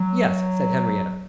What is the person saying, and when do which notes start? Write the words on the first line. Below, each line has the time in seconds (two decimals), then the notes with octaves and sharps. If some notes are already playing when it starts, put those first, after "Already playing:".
"Yes," said Henriette.
Already playing: F#3